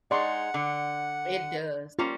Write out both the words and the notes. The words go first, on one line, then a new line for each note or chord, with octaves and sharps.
It does.
G#3 D#4 D5 F#5 C6 C#6
D3
G3 A#3 C#4 F4